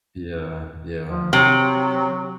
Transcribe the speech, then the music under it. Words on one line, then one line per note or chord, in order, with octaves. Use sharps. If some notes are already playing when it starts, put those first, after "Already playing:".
Yeah, yeah, and
F3
C3 F#3